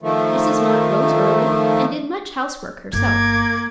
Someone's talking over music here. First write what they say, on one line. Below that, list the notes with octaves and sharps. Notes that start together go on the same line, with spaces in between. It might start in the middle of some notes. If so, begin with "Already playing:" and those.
Mrs. Mott rose early, and did much housework herself.
D#3 F3 A3
G1 A#3 D6 G#6